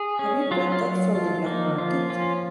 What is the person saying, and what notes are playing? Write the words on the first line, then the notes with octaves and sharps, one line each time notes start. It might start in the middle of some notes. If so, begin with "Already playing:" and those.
Have you bought that from the black-market?
Already playing: G#4
C#4
F#3 F4
F4
F#3
F3 F4
A#3 D#4
F3 F4
C#4 F4